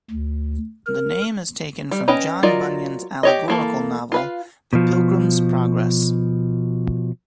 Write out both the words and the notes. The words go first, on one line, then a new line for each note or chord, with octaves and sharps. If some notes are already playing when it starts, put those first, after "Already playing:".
The name is taken from John Bunyan's allegorical novel "The Pilgrim's Progress".
D2
A#4
G3
C#4 B4 D#5 G5
F#3 F4 A#4 D5 D#5
G4 C#5 D#5
E3 A#3 A4
F4 B4 F5
B2 F3